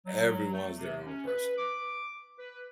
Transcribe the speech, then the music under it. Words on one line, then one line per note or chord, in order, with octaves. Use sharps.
Everyone's their own person.
F#3
A3
C3
C#4
B4
D6
B4